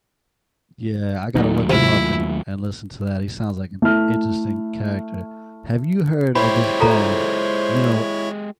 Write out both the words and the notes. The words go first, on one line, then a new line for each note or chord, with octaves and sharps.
Yeah, I gotta look him up, and and listen to that, he sounds like an i interesting character. Have you heard of this band? You know,
D#2 F#3 A3 A#3 D#4
C3 E4 F4 F#5
A3 E4 F6
G#3 E4 G4 C5 C#5 B5
F4 A4 A#5